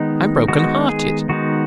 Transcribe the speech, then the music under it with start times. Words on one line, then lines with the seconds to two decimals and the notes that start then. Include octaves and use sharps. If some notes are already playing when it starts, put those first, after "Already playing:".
I am broken-hearted.
Already playing: D#3 G#3 B3 D#4
0.48 D#3 G#3 B3 D#4 F#4
0.89 G#4
1.29 D#3 G#3 B3 D#4 F#4